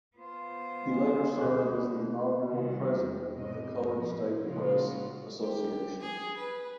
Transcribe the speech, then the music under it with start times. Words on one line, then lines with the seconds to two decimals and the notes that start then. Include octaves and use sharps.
He later served as the inaugural president of the Colored State Press Association.
0.17 B3 F4 C5
0.82 G#3
1.41 B2 D3 D#4 F#6
2.47 C3 D#3 E3 G3
2.98 E2
3.34 G#2 B2 C4 D#5
3.90 A2 F3
4.44 A#2 C#3 G#3 F4 F#4
5.42 G4
6.00 G#4
6.37 B4